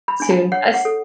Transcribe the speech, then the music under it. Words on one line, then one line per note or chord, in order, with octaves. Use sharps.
soon, I s
B5
D4 G#5
A5
C#5 F#5
F#5
A4